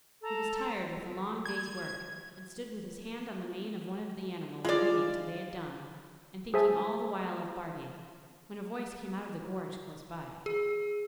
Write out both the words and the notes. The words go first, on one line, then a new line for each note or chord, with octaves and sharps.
He was tired with a long day's work, and stood with his hand on the mane of one of the animals, waiting till they had done, and thinking all the while of Barbaik, when a voice came out of the gorse close by.
A4 A#5
G#6
G#3 F4 D5
G#4 C5 E5 G#5 A5
G#4